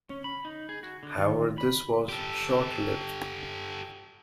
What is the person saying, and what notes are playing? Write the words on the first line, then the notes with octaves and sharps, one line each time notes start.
However, this was short lived.
C#4
B5
D#4
G#4
F#4
D3
D#3
B5
G4 A4